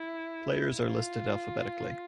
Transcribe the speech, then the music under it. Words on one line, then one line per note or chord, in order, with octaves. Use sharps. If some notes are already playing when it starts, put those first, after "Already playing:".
Players are listed alphabetically.
Already playing: E4
F4